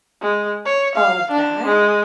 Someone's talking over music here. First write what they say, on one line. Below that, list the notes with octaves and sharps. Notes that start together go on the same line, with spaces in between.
all of that,
G#3
C#5
F5
D4
G#3